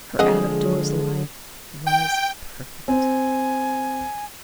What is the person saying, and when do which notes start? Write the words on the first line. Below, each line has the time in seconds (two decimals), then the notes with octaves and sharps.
Her out-of-doors life was perfect.
0.19 D3 F3 G#3 C4 G#4 D#5 F#5
1.87 G5
2.88 C4 G#5